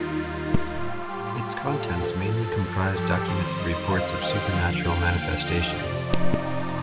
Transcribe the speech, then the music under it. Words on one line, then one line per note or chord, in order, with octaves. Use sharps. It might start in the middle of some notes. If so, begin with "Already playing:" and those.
Its contents mainly comprised documented reports of supernatural manifestations.
Already playing: D#2 D#3 G3 D#4 F4
D#4
A2 G3 F4
G4
A4
G2 F3 A4
A4
A4
G4
F2 D#3 G3 C5
D#5
F5
G5
D#2 D3 F3 F5
G5
F5
D#5
F2 C3 F3 D5
D#4
D#4